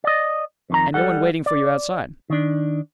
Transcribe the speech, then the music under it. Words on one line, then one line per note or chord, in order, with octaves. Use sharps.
"And no one waiting for you outside?"
D5 D#5
F2 D#3 A#5
G3 A4 F#5
D5
D#3 D4